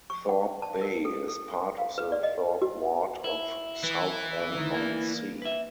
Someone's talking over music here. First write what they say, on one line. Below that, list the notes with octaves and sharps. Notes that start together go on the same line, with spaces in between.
Thorpe Bay is part of the Thorpe Ward of Southend-on-Sea.
C#6
F#5
A5
A#4
A4
A4
F5
B4
D5
D#5
F#4
E4
E3
D2 D#3
A#3 D4
B4 E5